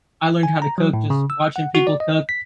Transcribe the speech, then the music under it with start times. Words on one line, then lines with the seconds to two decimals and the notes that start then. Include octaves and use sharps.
I learned how to cook- just watching people cook
0.43 G#5
0.62 A#5
0.78 F#3
0.93 A2
1.10 C#3
1.30 E6
1.56 F#5
1.75 F#4
1.87 D5
2.00 D#5
2.29 B6